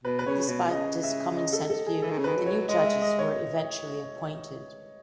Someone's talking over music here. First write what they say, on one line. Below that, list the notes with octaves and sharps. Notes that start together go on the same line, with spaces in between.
Despite this common-sense view, the new judges were eventually appointed.
B2 B4
B4
C#3 C#5
B2 C#5
C#3 D#5
E5
D#5
A4
A4
G#4
E3 A4
D#3
C#3
D#3 B4
F#3
C#5
G#3 D#5
E5
D#5
C#5